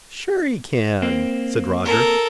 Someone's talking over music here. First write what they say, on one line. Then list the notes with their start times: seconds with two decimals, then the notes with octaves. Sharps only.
"Sure you can," said Roger.
1.02 A#3 C4
1.85 A4 A#4